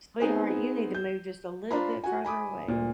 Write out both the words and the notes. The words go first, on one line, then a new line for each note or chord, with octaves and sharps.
Sweetheart, you need to move just a little bit further away.
B3 C4 D#4 G#4 B4 C5
G6
D4 F4 C5 A#5 B5
F#4 G#5
G#5 B5 D6 D#6
D2 A#2